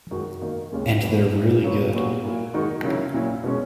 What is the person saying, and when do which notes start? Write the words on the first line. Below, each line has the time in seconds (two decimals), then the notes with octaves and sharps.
And they're really good.
0.11 F#2 D#3 G#3 D#4 F#4
0.42 D#3 A#3 D#4
0.72 D#2 C#3 G#3 C#4
1.01 E2 B2 F#3 B3
1.32 A#2 A#3 E4
1.62 C#3 F#3 B3 F#4
1.93 A#2 F#3 B3 F#4
2.23 A#2 A#3 E4
2.54 D#3 G#3 D#4 F#4
2.83 C#3 F#3 C#4 E4
3.14 A#2 F#3 C#4 E4
3.43 B2 G#3 C#4